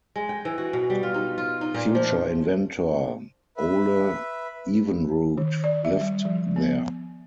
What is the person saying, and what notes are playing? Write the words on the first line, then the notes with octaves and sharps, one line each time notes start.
Future inventor Ole Evenrude lived there.
G#3
G5
E3
F#4
B2
G3
F4
D#4
F4
D#4
A#2
F3
B4 E5
D#3
D5
E5
G3
F3
B3